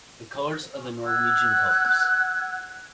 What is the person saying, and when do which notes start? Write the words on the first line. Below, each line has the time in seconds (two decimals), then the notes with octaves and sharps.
The colours are the Norwegian colours.
1.05 F#5 E6 F#6 G#6